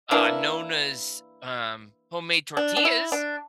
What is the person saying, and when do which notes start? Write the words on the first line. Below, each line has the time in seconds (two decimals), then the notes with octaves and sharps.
uh, Nona's, um, homemade tortillas.
0.11 E3 A#3 D4 E4
2.57 D4
2.77 D4
2.85 E4
3.12 D4